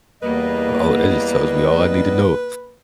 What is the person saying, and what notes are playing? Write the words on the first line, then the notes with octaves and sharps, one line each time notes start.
Oh, that just tells me all I need to know.
E2 G3 A#3 B4 D#5